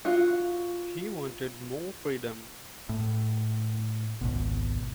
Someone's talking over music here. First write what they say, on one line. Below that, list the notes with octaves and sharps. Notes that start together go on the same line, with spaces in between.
He wanted more freedom.
F4 F#4
A2
G#1 C#2 B2